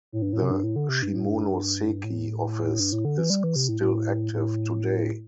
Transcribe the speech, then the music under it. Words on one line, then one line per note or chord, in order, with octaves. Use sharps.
The Shimonoseki office is still active today.
A2
G2
A2
C3
G2
A2
D3
C3
G2
A2
G2
A2
G2
A2
D3
E3
G3
E3
C3
A2
A2
A2